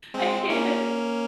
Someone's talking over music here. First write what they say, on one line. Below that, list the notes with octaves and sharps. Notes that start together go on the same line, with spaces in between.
I can't.
G#3 C4
A#3 C#4